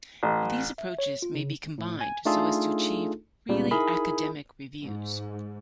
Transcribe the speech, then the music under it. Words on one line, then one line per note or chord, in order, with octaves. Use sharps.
These approaches may be combined so as to achieve really academic reviews.
A1
E5
C#5
F4
C#3
A2
G#5
A3 D4 D#4 F4 G#4 A4
C#2 A#2 C#3 G3
D#4 E4 G#4 A#4 B5
G#2